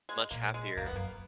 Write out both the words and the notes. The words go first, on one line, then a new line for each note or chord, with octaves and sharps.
much happier.
G#3
A#2 A#3
G#3
F#2 A#3
E2 B3
F#2 A#3